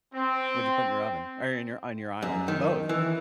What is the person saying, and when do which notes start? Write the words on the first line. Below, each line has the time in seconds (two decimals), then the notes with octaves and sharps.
What'd you put in your oven or in your on your island? Both,
0.14 C4
2.22 F#2
2.48 D#3
2.89 E3